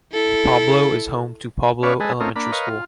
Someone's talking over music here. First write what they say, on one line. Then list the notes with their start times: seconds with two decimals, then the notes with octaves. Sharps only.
Pablo is home to Pablo Elementary School.
0.12 E4 A4
1.83 C#4 B4 C#5 D5 F5
2.00 G#3 G#4 A4 B4 D#5
2.20 A3 C4 C#4 D#4 F4 A#4
2.36 A#3 D4 B5
2.52 A#4 B4 C#5 D#5 F5
2.69 F4